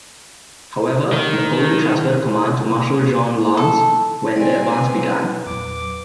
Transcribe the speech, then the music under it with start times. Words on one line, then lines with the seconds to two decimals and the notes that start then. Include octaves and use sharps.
However, Napoleon transferred command to Marshal Jean Lannes when the advance began.
1.13 D#3
3.57 A4
4.36 C4 D5 D#5 G#5
4.73 B4
5.46 E2 A#2 F#3 D6